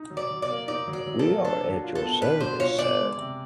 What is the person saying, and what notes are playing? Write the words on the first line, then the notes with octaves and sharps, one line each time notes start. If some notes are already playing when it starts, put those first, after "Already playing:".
We are at your service, Sir.
Already playing: D#4
F#3
D5
F#3
D5
A#3
D#4 D5
F#3
D5
F#3
A4
A#3
D4 A4
F#3
F4
A4
B3
D4 B4
F#3 C5
F4 C#5
B3 D5
G#3
C3